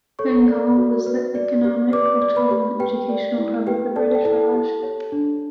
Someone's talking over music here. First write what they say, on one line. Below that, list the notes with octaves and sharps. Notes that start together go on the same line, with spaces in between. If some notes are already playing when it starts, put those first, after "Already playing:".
Bengal was the economic, cultural and educational hub of the British Raj.
A4 C#5 C#6
D5
F#4
B4
D5
G4
B4 D5 D6
D5
B4 B5
G4
G4 B4 G5
D5
E4
G4 B4 G5
A4 D5 A5
G5
E4 A4 A5
G4
C#5
D4